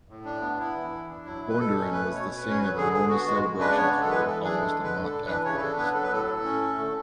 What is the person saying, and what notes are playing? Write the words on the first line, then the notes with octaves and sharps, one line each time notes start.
Bundoran was the scene of enormous celebrations for almost a month afterwards.
A2
D4
B3
B3 E4
E3
E3
D4
F#3 E4
B2
B4
B2 A4
C#4
A3 B4
B2
C#5
B2
B4
C#4
C#5
F#3 B4
D3 G#4
D3 G#4
B3 F#4
G#3 F#4
C#3
D4 B4
D5
B3 C#5
G#3
A4
E3 B4
E3 A4
D4 G#4
G#3 A4
D3
B4
D3
A4
D4
E3 B4
C#3 C#5
B4
D4 A4
B3 B4
F#3 A4
B4
A2 A4
A2
C#4
A3
D3